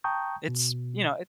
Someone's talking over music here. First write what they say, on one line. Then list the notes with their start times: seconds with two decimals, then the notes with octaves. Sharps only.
it's, you know, it
0.04 G5 A5 A#5 C#6 D#6 G6
0.48 B2